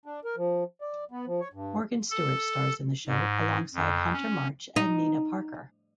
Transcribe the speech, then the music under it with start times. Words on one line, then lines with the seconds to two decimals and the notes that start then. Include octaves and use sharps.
Morgan Stewart stars in the show alongside Hunter March and Nina Parker.
0.05 D4
0.24 A#4
0.37 F3
0.81 D5
1.11 B3
1.26 F3
1.40 C#5
1.53 G2
2.11 A4
3.07 G#2
3.74 F2
4.13 C#4
4.76 D#4